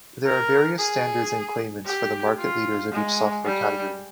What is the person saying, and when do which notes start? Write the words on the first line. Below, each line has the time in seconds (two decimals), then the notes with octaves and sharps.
There are various standards and claimants for the market leaders of each software category.
0.26 A#4
0.79 G#4
1.85 G4
2.39 F4
2.92 G#3
3.45 G3